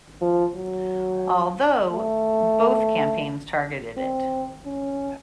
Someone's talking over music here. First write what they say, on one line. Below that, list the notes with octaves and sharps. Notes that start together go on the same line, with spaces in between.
Although, both campaigns targeted it.
F3
F#3
A3
C4
C#4